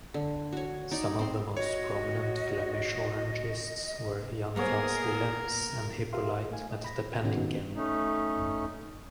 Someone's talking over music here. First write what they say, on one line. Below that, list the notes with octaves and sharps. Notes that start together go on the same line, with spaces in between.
Some of the most prominent Flemish Orangists were Jan Frans Willems and Hippolyte Metdepenningen.
D3
F#4 C#5
D#4 C#5 D5 A#5
C4 C6
F#4 C#5 D#5
A#3 B3 G#4 A#4 C#5
F4 G4 A#4 E5 F5 C6
A3 F5 G#5
D#5
B5 A#6
C3 D#3 B3 C#4 D#4 F#4
A3 C#4 D#4